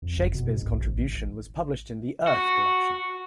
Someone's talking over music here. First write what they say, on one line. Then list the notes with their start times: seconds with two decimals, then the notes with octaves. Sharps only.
Shakespeare's contribution was published in the "Earth" collection.
0.02 F2
0.17 F#1
0.34 B2
0.50 G#2
0.62 B1
0.81 A1
0.97 A1
2.27 F#4